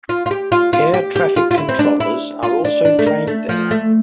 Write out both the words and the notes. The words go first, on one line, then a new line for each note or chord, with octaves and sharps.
Air traffic controllers are also trained there.
F4
F4
G4
F4
F4
G4
G4
F4
F4
E4
C4
D4
E4
F4
D4
D4
A3
A#3
A3
F3
A3